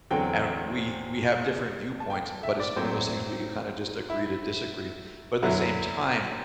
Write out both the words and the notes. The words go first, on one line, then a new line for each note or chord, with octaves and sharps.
and we we have different viewpoints, but it's one of those things we kinda just agree to disagree, but at the same time,
E2 D3 F#3 C4 G5
A5
G5
E5
D5
A2 F#3 C4 C5
E4
F#2 D3 F#3 E4